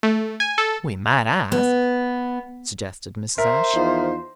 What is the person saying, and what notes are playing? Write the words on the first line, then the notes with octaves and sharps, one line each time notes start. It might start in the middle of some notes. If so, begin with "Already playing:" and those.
"We might ask," suggested Mrs. Ashe.
A3
G#5
A4
B3
A#4 C5 E5
E2 F3 D#4